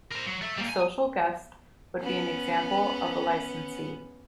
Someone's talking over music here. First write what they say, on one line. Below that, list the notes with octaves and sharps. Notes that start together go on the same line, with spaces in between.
A social guest would be an example of a licensee.
A#4 C5
F#3
A4 E5
G3 A#3
G#5
B3 C#4